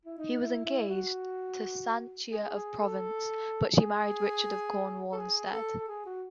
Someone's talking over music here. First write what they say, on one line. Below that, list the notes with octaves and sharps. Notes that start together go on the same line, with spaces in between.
He was engaged to Sanchia of Provence, but she married Richard of Cornwall instead.
E4
D#4
E4
E4
F#4
G#4
G#4
A4
G#4
A4
G#4
A4
A4
G#4
F#4